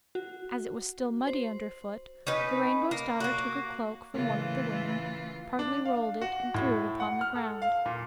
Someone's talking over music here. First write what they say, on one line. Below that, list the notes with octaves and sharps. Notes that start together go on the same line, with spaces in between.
As it was still muddy underfoot the Rainbow's Daughter took a cloak from one of the women, partly rolled it and threw it upon the ground.
F#4
C5
C#4 D#4 B4
A#3
A#3 F#4
A2 C#3 E3 A#3 F4
D4
F5
F#4
A2
F#5
F6
A4
F5
A#2